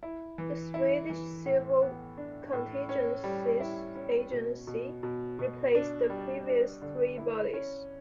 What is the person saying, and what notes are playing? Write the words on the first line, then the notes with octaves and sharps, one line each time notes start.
The Swedish Civil Contingencies Agency replaced the previous three bodies.
E4
E3
E4
E3
A2
B3
D4
A2
C#4
G3
E4
C#4
B2
B2
B2
B2
D4
G3
D4
D3
E4
C#4